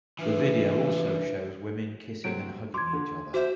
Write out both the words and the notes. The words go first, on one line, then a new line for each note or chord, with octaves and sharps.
The video also shows women kissing and hugging each other.
E3 F3 D4 B4 E5
C3 F#3 C4 D7
C6 D6 G#6
D3
F#4 C5 E5 D6